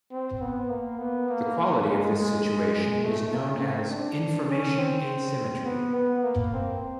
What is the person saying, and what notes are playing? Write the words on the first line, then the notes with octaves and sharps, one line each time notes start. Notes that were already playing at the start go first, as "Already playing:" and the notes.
The quality of this situation is known as 'information asymmetry'.
C4
B3
A#3
B3
A#3
G#3
G#3
G#3
G#3
A3
A#3
C4
D4
C#4
C4
B3
B3
A#3
C4